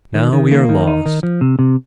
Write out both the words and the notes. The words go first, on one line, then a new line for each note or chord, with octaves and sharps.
"Now we are lost."
D#3
D#3
A#3
D#3
D#4
D#3
F3
C3
C3